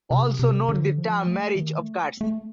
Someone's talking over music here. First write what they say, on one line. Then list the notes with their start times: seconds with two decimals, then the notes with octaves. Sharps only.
Also note the term Marriage of cards.
0.11 C3
0.39 C3
0.69 D3
0.98 F3
1.27 A3
1.56 D#3
1.78 A3
2.21 A3